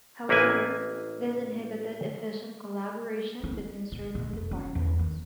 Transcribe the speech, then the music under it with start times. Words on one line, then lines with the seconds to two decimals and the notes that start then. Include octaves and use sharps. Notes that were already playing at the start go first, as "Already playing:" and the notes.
However, this inhibited efficient collaboration between certain departments.
0.29 A1 A#3 E4 B4 G#5
3.44 E4
3.92 B2
4.15 B2
4.33 F1
4.51 C#4
4.75 E2
4.99 D#3